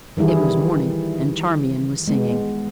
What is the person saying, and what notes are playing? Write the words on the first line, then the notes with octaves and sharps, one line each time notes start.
It was morning, and Charmian was singing.
D#3 E3 G3 E4 G#4
G#3 B3